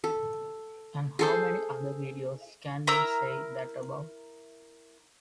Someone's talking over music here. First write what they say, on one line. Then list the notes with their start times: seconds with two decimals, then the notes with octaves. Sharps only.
And how many other videos can you say that about?
0.04 A4
1.19 G#4 A4 C5
2.87 E4 A#4 A#5 E6